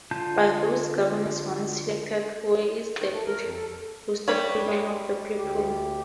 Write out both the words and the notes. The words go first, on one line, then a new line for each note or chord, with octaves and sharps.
But those governors once selected, where is the boasted freedom of the people?
D3 F4 A5 G6
D#3
A3
A#4
F2
A4
G3 B4 C#5
D2 G4